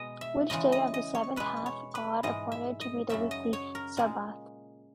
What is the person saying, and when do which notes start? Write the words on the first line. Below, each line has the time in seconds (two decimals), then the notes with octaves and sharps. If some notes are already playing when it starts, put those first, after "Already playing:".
Which day of the seven hath God appointed to be the weekly sabbath?
Already playing: B2 G#3 D#5
0.21 E5
0.50 E2 C#3 E3 G#3 D#5
0.72 D#5
0.94 D#5
1.15 C#5
1.36 B2 G#3 B4
1.66 C#5
1.95 B4
2.23 G#2 E3 G#3 D#5
2.52 E5
2.81 D#5
3.09 F#2 C#3 F#3 E5
3.31 D#5
3.53 C#5
3.75 A#4
3.97 A#2 G#3